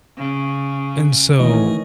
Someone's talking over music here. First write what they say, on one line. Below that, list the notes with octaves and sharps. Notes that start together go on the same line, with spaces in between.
and so
C#3
D#3 E3 A3 C#4 D#5